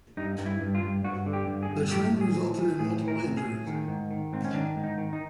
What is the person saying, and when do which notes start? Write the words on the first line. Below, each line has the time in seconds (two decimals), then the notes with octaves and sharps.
The trend resulted in multiple injuries.
0.17 G2 D#4
0.38 G2
0.46 E4
0.61 G2
0.75 F4
0.82 G2
1.04 G2 F#4
1.26 D3
1.33 G4
1.48 G2
1.63 G#4
1.70 G2
1.91 A2 G4
2.14 A2
2.21 G#4
2.36 E3
2.58 E3
2.79 A2 G#4
3.01 E3
3.08 A#4
3.23 A2
3.37 G#4
3.45 A2
3.67 D#3
3.88 G#2
4.11 D#3
4.33 G#2 C4
4.44 C#4
4.54 D#3 D4
4.76 G#2
4.84 D#4
4.98 D#3
5.13 D#4